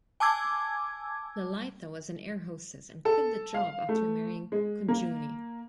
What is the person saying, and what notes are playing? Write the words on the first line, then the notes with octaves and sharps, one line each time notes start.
Lalitha was an air hostess and quit the job after marrying Kunjunni.
G#5 A5 D6 E6 G#6
A4
F5
A3
G#3
A#3